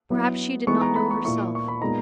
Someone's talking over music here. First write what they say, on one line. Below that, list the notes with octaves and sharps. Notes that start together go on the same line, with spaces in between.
Perhaps she did not know herself.
F#3 B3 E4
E3 G#3 B3 D#4 C#6
A#5
B5
C#6
A#2 A#3 E4 C#6
C#6
B5
A#2 G#3 B3 D#4 A#5